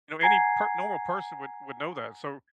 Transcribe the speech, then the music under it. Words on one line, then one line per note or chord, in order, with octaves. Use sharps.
you know any per normal person would would know that, so,
F#5 G#5 A#5 G#6 C7